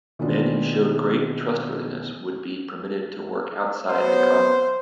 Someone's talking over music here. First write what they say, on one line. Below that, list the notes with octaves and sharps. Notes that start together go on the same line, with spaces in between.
Men who showed great trustworthiness would be permitted to work outside the compound.
B2 D#3 E3 A#3 D4 F4
F#3 B3 C5